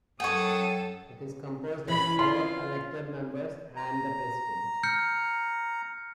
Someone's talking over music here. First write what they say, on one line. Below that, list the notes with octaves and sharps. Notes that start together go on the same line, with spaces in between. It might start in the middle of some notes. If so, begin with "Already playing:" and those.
It is composed of four elected members and the President.
F#2 A4 C#5 F#5 G5 D#6
E3 C#4 B5
F4 C6
A#5
F6 G6 C#7